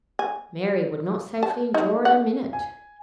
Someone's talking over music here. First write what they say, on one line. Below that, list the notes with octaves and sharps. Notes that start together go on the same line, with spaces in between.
Mary would not safely endure it a minute.
G#5
A5
D#4
F#5
G#5